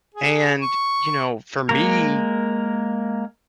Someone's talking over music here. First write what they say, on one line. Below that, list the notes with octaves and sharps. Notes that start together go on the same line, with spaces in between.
and, you know, for me,
G#4
C#6
G#3 A#3 A#4